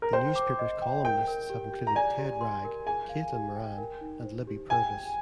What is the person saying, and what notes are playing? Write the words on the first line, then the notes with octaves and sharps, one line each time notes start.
The newspaper's columnists have included Ted Wragg, Caitlin Moran and Libby Purves.
A#4
C5 G5
D6
D#5
G5
A#4 G5
A#4
G4
G4
A#5
D5 G#5
G4
C6
A#4
G#4 G#5
F5
G4
G5
A#4
D#4
C5
G4
G5 G#5
G5